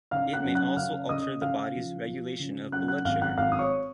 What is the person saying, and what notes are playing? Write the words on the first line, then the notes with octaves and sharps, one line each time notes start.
It may also alter the body's regulation of blood sugar.
C#3 F5 F6
F#5 F#6
F#2
F#5 F#6
C#3 F5 F6
C#3 D#5 D#6
C#3 F5 F6
F3
F3
C#3
F#2 F#5 F#6
F#5 F#6
G#1 F5 F6
F#5 F#6
G#1 F5 F6
D#6
C#5 C#6